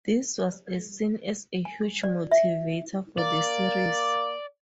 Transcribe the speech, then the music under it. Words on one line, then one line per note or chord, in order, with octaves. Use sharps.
This was a seen as a huge motivator for the series.
G#5
D5
E5
A#3 D5